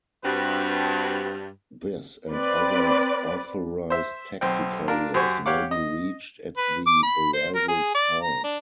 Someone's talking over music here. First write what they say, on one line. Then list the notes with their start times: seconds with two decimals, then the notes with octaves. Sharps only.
This and other authorized taxi carriers may be reached at the arrivals hall.
0.24 G2 C4 F#4 B4
2.31 C4 B4 D5
3.90 C5 E5
4.41 B1 C4 G5
4.88 D4 F4 A#4
5.14 F#2 G4 C5 G#5 C#6
5.46 G4 C#5 F5 F#5 D6
5.71 D#5
6.57 B4
6.87 D6
7.03 B5
7.33 C5
7.55 A#4
7.68 G#4
7.95 D5
8.23 A#5
8.44 D4